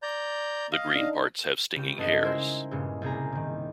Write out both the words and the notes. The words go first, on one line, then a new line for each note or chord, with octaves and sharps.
The green parts have stinging hairs.
D5 A#5 G6
D#5 F5
D4 D#4
C#3 G4
G1 A4 D#5 F#5
G#3 D#4 E4 G#4 A#4 C5
G2 A#2 C#3 G#3
C2 A#2 G#4 A#5
G#2 D#3